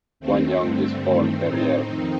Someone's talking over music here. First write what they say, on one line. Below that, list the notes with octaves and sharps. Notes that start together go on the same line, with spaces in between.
One young is born per year.
D#2 D#3 A3 C4
G2 D3
G2 D#3
A2 C4 D#4
F2 D#3